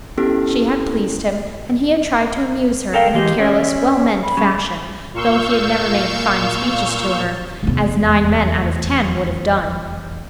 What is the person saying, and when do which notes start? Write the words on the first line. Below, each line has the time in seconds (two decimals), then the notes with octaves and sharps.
She had pleased him, and he had tried to amuse her in a careless, well-meant fashion, though he had never made fine speeches to her, as nine men out of ten would have done.
0.18 B3 C#4 E4 G4 A4
2.94 A4 A#4 F5 G5
3.14 E3 G#3 G4 D#5
3.39 C#4 D5 E5
4.22 B5
4.37 G3 G#3 C#4
5.14 A#2 F5 C#6 E6 G6
7.63 F1 E2